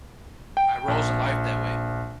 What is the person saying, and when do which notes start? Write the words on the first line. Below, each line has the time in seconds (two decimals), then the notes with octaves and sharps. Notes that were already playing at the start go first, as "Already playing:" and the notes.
I rose in life that way.
0.57 G5
0.88 A#1